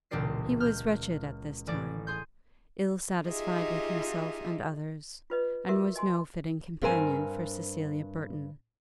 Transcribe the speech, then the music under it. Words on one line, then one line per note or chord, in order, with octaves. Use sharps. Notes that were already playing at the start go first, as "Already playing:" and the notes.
He was wretched at this time--ill-satisfied with himself and others--and was no fitting companion for Cecilia Burton.
E1 C#2 A#2 G4 D5 C7
F6 G6
A1 D5
G#4 C6 G6
D#4 F4 G4 G#4 D#5 E5
F4 B4 D#5
F4 F#4 A4 A#4 E5
D#5 G#5 C6
G2 C4 A#4 C5 G#5